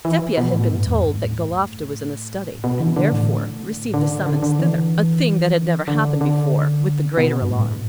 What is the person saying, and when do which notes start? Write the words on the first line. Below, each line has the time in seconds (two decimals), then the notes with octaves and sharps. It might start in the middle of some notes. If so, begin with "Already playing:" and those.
Sepia had been told that Galofta was in the study, and therefore received the summons thither--a thing that had never happened before--with the greater alarm.
0.05 E3
0.37 B2
0.53 A2
0.70 G2
0.86 E2
1.02 G2
1.18 A2
2.64 B2
2.80 E3
2.97 D3
3.12 A2
3.94 D3
4.26 D3
4.43 D3
4.59 E3
5.88 D3
6.21 D3
7.17 B2
7.42 G2
7.50 A2